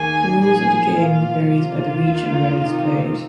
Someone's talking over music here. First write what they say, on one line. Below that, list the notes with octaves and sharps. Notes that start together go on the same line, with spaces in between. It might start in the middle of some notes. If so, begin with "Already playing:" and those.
The rules of the game varies by the region where it is played.
Already playing: D#2 D#3 A#3 D#4 G#4 G#5
A#2 F3 A#3 D#4 G#4 G#5
A#2 F3 A#3 F4 F5
C3 F3 G#3 F4 F5
D#2 D#3 A#3 D#4
C3 D#3 C4 D#4